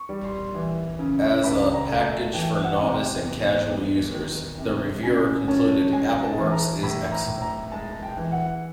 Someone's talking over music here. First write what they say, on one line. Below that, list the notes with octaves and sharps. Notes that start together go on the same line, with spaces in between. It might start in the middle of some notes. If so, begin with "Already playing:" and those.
As a package for novice and casual users, the reviewer concluded, "Appleworks is excellent".
Already playing: C#6
G3
C6
E3
C#3
C#2 B5
A#5
A3
A5
E3 G5
F#5
C3
G5
E2
E2
D#3
C3
C#3 G#5
C#4 A5
G#3 G#5
A5
E3
A#5
A2 B5
A#5
A2
A#5
G#3 A5
G5
E3
F#5